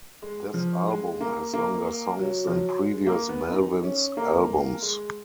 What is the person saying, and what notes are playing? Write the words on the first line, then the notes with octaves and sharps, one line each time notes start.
This album has longer songs than previous Melvins albums.
G#3
F3
G#3
A#3
A#3
F#3
F3
F#3
G#3
A#3
B3
D#4
C#4
A#3
G#3